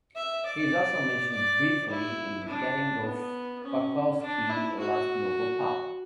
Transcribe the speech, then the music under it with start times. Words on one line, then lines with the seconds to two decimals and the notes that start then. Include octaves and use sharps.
He is also mentioned briefly in the beginning of Bukowski's last novel, "Pulp".
0.16 E5
0.46 D5
1.31 D5
1.90 E4
2.48 D4
3.05 B3
3.64 C#4
4.21 D4
4.49 E4
4.79 F#4